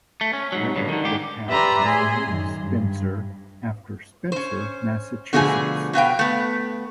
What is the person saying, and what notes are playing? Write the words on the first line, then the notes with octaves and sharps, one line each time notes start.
Later the town was named Spencer, after Spencer, Massachusetts.
A3
C#4
G#2 F#3
G2 C#3
D3 D#3
G#2 G4
G4 B4 D5 E5 A#5 C6
A2 G#4 C6
F#2 D#3
G2
C#4 C5
B2 D3 F3 A3 G#4 G#5
B2 B3 F5 G5
A3 B3